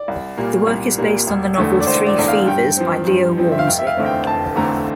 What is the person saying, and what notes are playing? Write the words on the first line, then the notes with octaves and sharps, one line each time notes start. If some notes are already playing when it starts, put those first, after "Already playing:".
The work is based on the novel "Three Fevers" by Leo Walmsley.
Already playing: D5
C2
A#2 G3 A#3
C2
A#2 G3 A#3
E1
E2 D3 A3
D5
E1 C5
D5
E2 D3 A3
F5
G2 G5
F3 C4
G2
F3 C4
E5
F5
F1 G5
E5
F5
E2 D3 A3 C4
G5
F1 A5
E2 D3 A3 C4 A#5